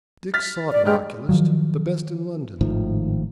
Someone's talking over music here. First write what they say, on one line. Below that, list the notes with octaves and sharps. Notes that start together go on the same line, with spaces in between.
Dick sought an oculist,--the best in London.
F6 A6 B6
D5
D#1 G#3 G4 F6
D#3 F3 F#3
G#1 A2 D#3 F3